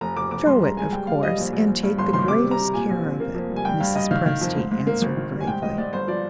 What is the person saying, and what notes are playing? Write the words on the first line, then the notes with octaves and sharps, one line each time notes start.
"Show it, of course; and take the greatest care of it," Mrs. Presty answered gravely.
F1 A#5
F1 D6
F1 D6
G2 C6
G#3 A#5
G#3 G#5
G3 G5
G3 F5
G3 D#5
A#1
A#1
A#1
G2
G1 C6
D#3 C6
C3 D6
G3
A#5
C3
A#2 G#5
A#1
C4
A#3
F2
G3
G#5
G2 G5
G2 F5
G2 D#5
D#3 F5
D#3
F2
G#2
G#2
A#3
G#1
D#3
G3
G#5
G#2 G5
G#2 D#5
G#2 D5
G1 C5
F3 D5